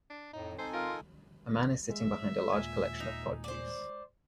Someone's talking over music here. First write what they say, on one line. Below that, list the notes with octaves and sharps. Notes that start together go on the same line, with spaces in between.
A man is sitting behind a large collection of produce.
D4
F2 A2 D#4
C4 D#4 A4 C5 G#5
F4 A#4
G#3 E5
D#2 A#2 G#5
D#4
C5 D5